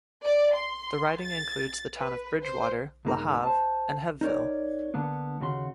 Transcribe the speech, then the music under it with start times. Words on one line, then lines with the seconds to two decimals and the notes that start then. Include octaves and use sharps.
The riding includes the town of Bridgewater, LaHave, and Hebbville.
0.24 D5
0.54 C6
1.20 A6
1.96 B4
2.44 C5
3.05 C#2 G2 A#3 D#4 A#5
3.43 C5 A5
4.21 D#4 A#4 C#5 D5
4.94 D3 A#3 B3 D4
5.40 D#2 C#3 F#4 C6